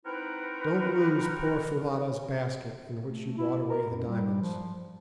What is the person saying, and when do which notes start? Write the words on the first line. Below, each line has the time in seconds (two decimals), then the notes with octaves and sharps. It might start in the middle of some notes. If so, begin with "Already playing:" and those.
Don't lose poor Foulata's basket in which you brought away the diamonds.
0.05 C4 D#4 E4 F#4 A#4 B4
3.03 A3
3.38 E4
3.69 A#4
3.90 F#2
4.07 G3
4.41 F3